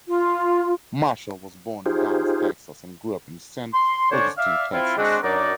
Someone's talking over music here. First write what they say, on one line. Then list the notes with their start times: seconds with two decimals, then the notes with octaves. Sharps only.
Marshall was born in Dallas, Texas and grew up in San Augustine, Texas.
0.08 F4
1.86 D#4 F4 G4 G#4 C5
3.74 C6
4.11 D3 C#4 D4 C5 C#5
4.38 D5 E5 F5
4.73 C4 E4 F4
4.97 G#3 C4 D4 F#4
5.22 F#2 F#3 D4 D#4 A#4 D5